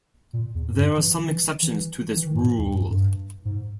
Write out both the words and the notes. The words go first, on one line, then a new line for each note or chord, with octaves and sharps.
There are some exceptions to this rule.
A#2
E2
G#2
G2
E3
E3
E3
E3
E3
D#3
G#2
A#2
E2
G2
G2
G#2